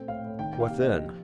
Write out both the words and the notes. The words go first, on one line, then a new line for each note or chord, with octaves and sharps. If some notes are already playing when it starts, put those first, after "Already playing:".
"What then?"
Already playing: A#2 A3 C4 G5
A2 F5
A2
D#3 G5
A#3 G5
F5
C3
D#5
C3
F3